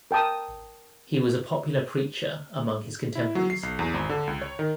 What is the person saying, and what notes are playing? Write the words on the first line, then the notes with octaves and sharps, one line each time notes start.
He was a popular preacher among his contemporaries.
A#4 G5 A5 D#6
E4
F#3
C7
B1
E2
G#1
D3
C#2
C#5
D#3